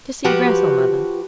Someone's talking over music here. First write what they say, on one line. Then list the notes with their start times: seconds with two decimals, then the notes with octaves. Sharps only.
'To see Grettel, Mother.'
0.25 F3 F#4 G4 B4